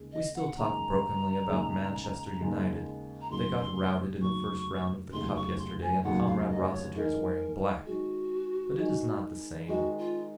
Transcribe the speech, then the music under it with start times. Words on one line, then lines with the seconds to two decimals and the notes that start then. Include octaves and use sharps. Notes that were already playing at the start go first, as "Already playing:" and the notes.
We still talk brokenly about Manchester United--they got routed in the first round of the Cup yesterday and Comrade Rossiter is wearing black--but it is not the same.
Already playing: D#2 C#3 G#3
0.12 D#5
0.35 F#5
0.57 D#2 C#3 G#3 A#5
1.48 D#2 C#3 G#3
2.40 D#2 C#3 G#3
3.21 A#5
3.30 F1 D#2 C#3 F#3 C6
4.21 F1 D#2 C#3 F#3 C#6
5.13 F1 D#2 C#3 F#3 C6
5.36 C#6
5.59 C6
5.81 G#5
6.04 F1 D#2 C#3 F#3 F#5
6.27 F5
6.50 D#5
6.72 C#5
6.95 D#3 G#3 D#4 G#4 A#4
7.85 D#3 G#3 D#4 F#4 G#4
8.77 D#3 G#3 D#4 G#4
9.68 D#3 G#3 D#4 F#4 G#4
9.98 F4